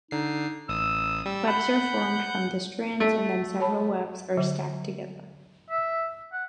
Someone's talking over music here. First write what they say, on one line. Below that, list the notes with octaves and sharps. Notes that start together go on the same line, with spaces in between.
Webs are formed from the strands and then several webs are stacked together.
D3 D#4 C7
A1 D#6 E6
G3 E6
F#5 B5 G6
A3
C#5 A5 B5
D3 F#3
E5
F#5